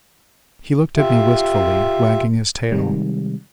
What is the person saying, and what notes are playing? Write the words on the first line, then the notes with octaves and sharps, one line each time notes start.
He looked at me wistfully, wagging his tail.
F4 G4 E5
C3 D#3 G3 G#3